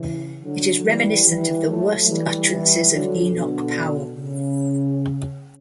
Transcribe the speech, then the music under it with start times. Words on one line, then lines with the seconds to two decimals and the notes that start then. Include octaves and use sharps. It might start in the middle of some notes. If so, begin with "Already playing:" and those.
It is reminiscent of the worse utterances of Enoch Powell.
Already playing: C#3 E3
0.43 D3 F#3
0.84 E3 G3
1.25 E3 G3
1.67 F#3 A3
2.08 E3 G3
2.49 E3 G3
2.91 D3 F#3
3.32 B2 D3
4.15 C#3